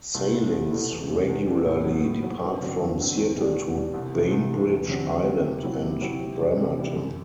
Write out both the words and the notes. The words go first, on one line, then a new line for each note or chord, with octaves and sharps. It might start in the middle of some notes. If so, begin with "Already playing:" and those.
Sailings regularly depart from Seattle to Bainbridge Island and Bremerton.
C2
B2 A3 E4
C2
B2 A3 E4
E2
C3 G3
E2
C3 G3
A2
F#3 B3
A2
F#3 B3
G2
D3 F#3 C4
G2
D3 F#3 C4
E2
B2 G3 D4
E2
B2 G3 D4
C2
C3 E3 A3
C2
C3 E3 A3
E2
D3 F#3 C4
E2
D3 F#3 C4
C3
F#3 C4 E4
C3
F#3 C4 E4
C3
E3 G3 D4
C3
E3 G3 D4
F#2